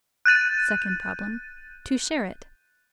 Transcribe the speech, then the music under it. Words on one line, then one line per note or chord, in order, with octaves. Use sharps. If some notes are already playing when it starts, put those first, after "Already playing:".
Second problem: To share it.
F#6 G6 A6 D#7